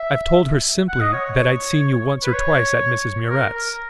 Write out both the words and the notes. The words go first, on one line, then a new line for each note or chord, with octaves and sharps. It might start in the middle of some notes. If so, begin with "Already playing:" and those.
"I've told her, simply, that I'd seen you once or twice at Mrs. Murrett's."
Already playing: E5
F#5
D#5
C#5
C#5
B4
C#5
A#4
A#4